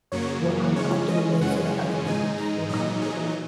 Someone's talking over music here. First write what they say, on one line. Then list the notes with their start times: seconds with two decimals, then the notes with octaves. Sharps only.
what I'm comfortable with so that other people can feel comfortable.
0.12 F#2 C#3 F#3 A#3 C#5
0.76 C#3 G#3 C#4 C#5
1.09 D#5
1.41 F#2 C#3 G#3 C#4 F#5
2.05 G#2 G#3 D#4 G#5
2.38 A#5
2.69 A#2 F#3 D#4 D#5
3.02 G#4